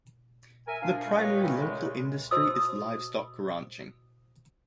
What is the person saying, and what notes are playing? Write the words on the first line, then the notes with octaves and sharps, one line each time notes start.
The primary local industry is livestock ranching.
A#4 E5 G#5
F3 D4 F5
D3 G3 A3
F4 G4 A#4 B4 C#5 D#5
G2 A#2 D3 E3 A3 E4
C#3 G#3
F#4 C5 D#5 A5 D#6 E6